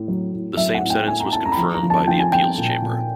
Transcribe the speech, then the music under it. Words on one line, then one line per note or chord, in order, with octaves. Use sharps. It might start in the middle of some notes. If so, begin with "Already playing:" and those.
The same sentence was confirmed by the appeals chamber.
Already playing: A2
F#3
A2
F#3 E5
F#5
A2
G5
A2 G#5
A#5
A2 A5
A#5
B5
F3 A#5
A#5
F3
A5
F3 G5
G#5
F3 G5
A#2
A#2